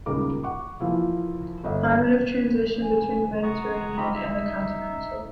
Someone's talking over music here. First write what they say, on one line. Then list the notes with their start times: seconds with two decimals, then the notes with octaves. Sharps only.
Climate of transition between the Mediterranean and the Continental.
0.06 D#1 C#2 C#3 D#4 A#4 D6
0.43 F#5 C#6 D6
0.80 E3 F3 A#3 E4 F4
1.64 G1 D#5 E5
2.82 G#5
3.43 F#5 A#5 C#6 D#6
3.97 C4 D#4 F4 G4 A#5 B5
4.14 D#4 E5